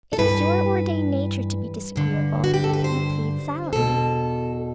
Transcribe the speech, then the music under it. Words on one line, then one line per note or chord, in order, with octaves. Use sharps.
It is your ordained nature to be disagreeable; you plead silently.
A4
G2 E3 B4
G2 D3
F#4
G4
A4
B4
C5
E2 B2 A4